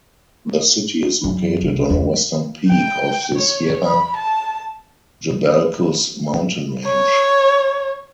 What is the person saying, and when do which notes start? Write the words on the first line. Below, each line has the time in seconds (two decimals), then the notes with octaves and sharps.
The city is located on a western peak of the Sierra Jabalcuz mountain range.
1.24 F#2
1.62 C2
1.90 E2
2.69 G5
3.36 C#5
3.86 B5
4.17 A5
6.86 C#5